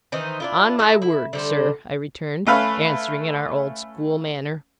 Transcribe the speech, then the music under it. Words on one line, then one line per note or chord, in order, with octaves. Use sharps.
'On my word, sir!' I returned, answering in our old school manner.
D#3 E3 D#4 C5
D4 E4 F4
D#4 E4 A4 E5
E4
D3 G3 C5
A3 C#4 B4 F5 B5